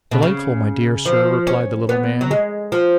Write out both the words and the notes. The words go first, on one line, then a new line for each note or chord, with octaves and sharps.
'Delightful, my dear Sir,' replied the little man.
B2
C#3
F3
C#4
B3
F#3
G#3
F3